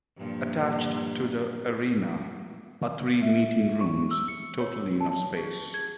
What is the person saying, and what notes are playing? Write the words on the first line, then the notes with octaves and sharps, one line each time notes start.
Attached to the arena are three meeting rooms totaling of space.
G2 A#2 F3
E5
C#6
E6
C#7
C#5
A5
G#4
G#6